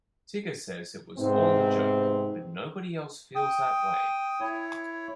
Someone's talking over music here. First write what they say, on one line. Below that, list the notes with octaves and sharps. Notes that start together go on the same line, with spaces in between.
Tigger says it was all a joke, but nobody else feels that way.
G#2 C3 B3 C4
G5 D#6
E4 C#5